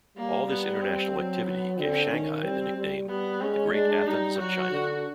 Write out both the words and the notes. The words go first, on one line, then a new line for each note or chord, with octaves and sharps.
All this international activity gave Shanghai the nickname "the Great Athens of China".
G3 A#3
B3
C4
F#3
B3
D3 C4
D#3 C#4
G3 C4
G3
G3 B3
G#3 C#4
G#3 D4
G3 D#4
F#3 F#4
D3